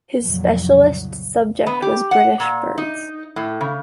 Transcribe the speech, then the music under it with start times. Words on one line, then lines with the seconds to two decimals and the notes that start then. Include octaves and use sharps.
His specialist subject was 'British Birds'.
0.22 C2 F2 A#2 C#3 F3 F#3
1.66 B3
1.82 G4
2.11 F#5
2.40 A#2
2.78 D#4
3.36 A2
3.61 C#3